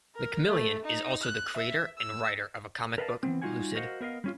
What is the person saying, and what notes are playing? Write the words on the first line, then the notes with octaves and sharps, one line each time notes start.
McMillian is also the creator and writer of a comic book, "Lucid".
A#4
A3
D#4
F#6
E5
E6
A#4 B4 D#5 F5 F#5 A5
E3 G3 B3 C4
G3 D#4 F4 F#4 F#5 G#5
F#4 A#4 C5 D#5 F5 F#5
B3 A#4 D#5 F5
G3 C#4 F4